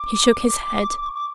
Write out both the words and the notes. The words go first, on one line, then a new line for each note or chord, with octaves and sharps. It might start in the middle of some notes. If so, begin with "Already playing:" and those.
He shook his head.
Already playing: D6
C#6
D6